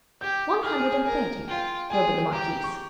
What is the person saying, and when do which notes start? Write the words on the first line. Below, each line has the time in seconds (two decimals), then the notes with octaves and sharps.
"One hundred and thirty," murmured the marquise.
0.21 G4 G6
0.63 G#4 F6
0.78 F6
0.91 G#5
1.06 A#4 G#5
1.48 F4 G5
1.90 G#4 G#5
2.32 G4 A#5
2.64 C#6